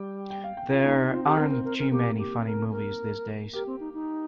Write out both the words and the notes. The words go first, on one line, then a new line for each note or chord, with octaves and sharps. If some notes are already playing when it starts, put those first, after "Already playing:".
There aren't too many funny movies these days.
Already playing: G3 G5
G5
F5
G5
F4
A#3 D#4
C4 F4
G4
C4 A#4
A#4
A#4
A#4
A#3 G4
G4
A#4
A#4
G4 A#4
C4
D#4
D#4